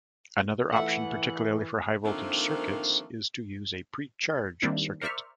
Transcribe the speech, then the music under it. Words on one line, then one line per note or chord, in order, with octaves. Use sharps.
Another option, particularly for high voltage circuits, is to use a pre-charge circuit.
E3 A3 E5 F#5
D3 D#3 F3 A3 A#3 C4
D#3 G3 A#3 C4 D4 E4
A#4 C5 D5 E5 C#6 F6